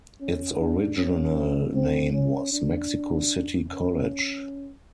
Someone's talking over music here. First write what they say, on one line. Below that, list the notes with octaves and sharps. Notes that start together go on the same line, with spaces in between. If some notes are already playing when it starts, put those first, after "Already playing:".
Its original name was Mexico City College.
C#4
D4
C#4
C4
C#4
D4
C#4